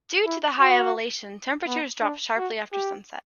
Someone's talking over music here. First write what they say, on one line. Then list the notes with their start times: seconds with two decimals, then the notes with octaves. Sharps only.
Due to the high elevation, temperatures drop sharply after sunset.
0.26 E4
0.61 F#4
1.67 B3
2.02 D4
2.37 F#4
2.73 G4